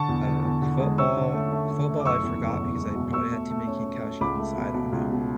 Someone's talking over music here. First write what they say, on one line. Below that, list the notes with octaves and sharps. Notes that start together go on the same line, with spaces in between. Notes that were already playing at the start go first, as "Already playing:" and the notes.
uh, football. Football, I forgot because I probably had too many concussions, I don't know,
Already playing: D3 A5 C#6
E2
D3
E2
D3
G#3
C#4 C#6 E6
D3
A3
A3
A3
A3
D6
F#1 C#6 E6
E2
F#1
E2
G#3
B2
B2 C#6 E6
A3
A3
C#4
C#4
A3
C#2 B5 D6
A3
B2
B2
C#2
B2